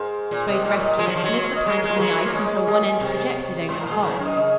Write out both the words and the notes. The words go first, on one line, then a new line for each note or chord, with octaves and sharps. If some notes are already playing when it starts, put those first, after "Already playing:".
Both rescuers slid the plank on the ice until one end projected over the hole.
Already playing: G#2 A#4 C5
A#2
C3 D#5
A#2 F5
C#5
D#5
G#3 C5
F#3 C#5
F3 C5
F#3
C#5
F5
D#5
G#3 C#5
A#4
G#3
F4
F#3 A#4 C5
A#3
G#3 C#5
D#5
C#5
G#3 D#5
D#5
C3 C#5
G#2 C5
A#4
A#2
G#4
G#2 A#4
C#5
F#2
D#5
C#3 D#5